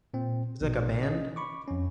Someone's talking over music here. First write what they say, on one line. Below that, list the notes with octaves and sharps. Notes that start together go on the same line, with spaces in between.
It's, like, a band?
A#2 C4
A#1 B2
C#4 D#5
B5 C#6 D6
F2 C#4